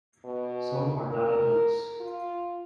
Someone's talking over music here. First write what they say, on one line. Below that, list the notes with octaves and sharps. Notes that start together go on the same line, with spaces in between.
So are dotted notes.
B2
A#4
F4